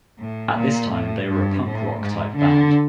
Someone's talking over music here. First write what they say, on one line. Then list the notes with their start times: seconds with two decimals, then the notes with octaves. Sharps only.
At this time they were a punk rock type band.
0.19 A2
0.55 A#2
0.92 A2
1.29 G2
1.65 A2
2.01 G#2
2.37 D3